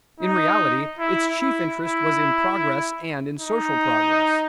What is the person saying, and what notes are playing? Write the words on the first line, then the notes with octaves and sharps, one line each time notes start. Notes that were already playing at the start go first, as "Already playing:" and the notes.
In reality its chief interest was in progress and in social progress.
D#4
E4
E4
E4
D#4